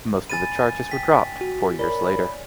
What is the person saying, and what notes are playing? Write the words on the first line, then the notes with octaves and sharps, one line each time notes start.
Most of the charges were dropped four years later.
G#5 B5 A6 D#7
G5 B6
F#4
A#4 C#5 D5 B5